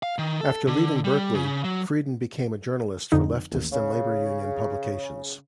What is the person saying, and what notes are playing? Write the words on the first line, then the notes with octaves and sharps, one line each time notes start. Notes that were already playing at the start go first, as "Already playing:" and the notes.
After leaving Berkeley, Friedan became a journalist for leftist and labor union publications.
F5
D#3
A4
D3
G3
C#3
F#3
F2 D3 D#4
A1 D#2
C#3